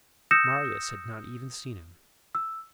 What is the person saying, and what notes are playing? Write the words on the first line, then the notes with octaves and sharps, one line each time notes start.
Marius had not even seen him.
D#6 E6 G6 A#6 C#7 E7
E6